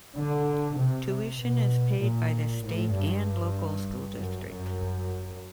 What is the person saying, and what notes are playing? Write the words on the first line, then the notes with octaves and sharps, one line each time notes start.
Tuition is paid by the state and local school district.
D3
C3
C3
B2
A#2
A2
G2
F#2
F#2